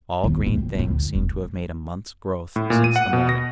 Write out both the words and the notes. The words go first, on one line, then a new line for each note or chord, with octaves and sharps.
All green things seemed to have made a month's growth since the morning.
G1 D#2
D#1 A2
C4
F#2 A2
D2
E1
A2
A#2
D#7
F#5
B2
A#6